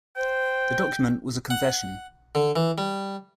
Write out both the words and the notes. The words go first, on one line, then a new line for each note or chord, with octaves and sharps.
The document was a confession.
C5 G5
F#5
D3
E3
G3